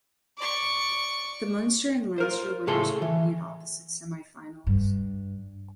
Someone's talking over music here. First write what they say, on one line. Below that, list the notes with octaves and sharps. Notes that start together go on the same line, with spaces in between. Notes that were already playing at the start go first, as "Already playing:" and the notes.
The Munster and Leinster winners will be in opposite semi-finals.
D5 C#6
F4 A#4 C5
A2 C#3 G#4 A4 C#5 C6
E3
G2